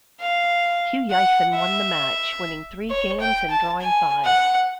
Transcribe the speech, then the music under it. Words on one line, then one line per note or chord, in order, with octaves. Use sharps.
Hou Yifan won the match, winning three games and drawing five.
F5
F#5
E5
C#5
G5
A5
G#5
F#5